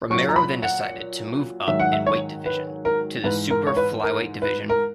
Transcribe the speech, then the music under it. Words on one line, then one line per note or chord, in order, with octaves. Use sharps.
Romero then decided to move up in weight division, to the Super Flyweight division.
A#2 F#3 C#6
A#5
B5
F#5
G#2 D#3 F#3 E5
F#5
E5
C#5
B4
A#4
G#2 E3 B4
A#4
C#5
B4
A#4
B4
A#4